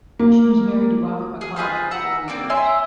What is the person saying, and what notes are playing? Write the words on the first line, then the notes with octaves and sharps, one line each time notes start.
She was married to Robert MacLeod for four years.
A#3
G#4
F4 G#4 B4 C5
E5 F#5 A#5
A#3 C4 D5 D6
C#5 E5 G#5 C6